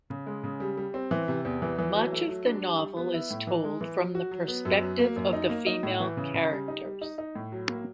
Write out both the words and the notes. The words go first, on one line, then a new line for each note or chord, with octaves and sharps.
Much of the novel is told from the perspective of the female characters.
C#3
G#3
C#3
G3
G3
C4
E3
C3
E2
E3
E3
F#3
A3
F#3
D4
G3
G3
B3
E4
A2
E3
G#3
E3
F#3
F#4
F#3
B3
F#2
F#3
A#3
F#2
D#4
A#3
D#4
A2
E3
C#3
C#3
G3
D#4
G3
D#4
D#4
A2
F#3
A#3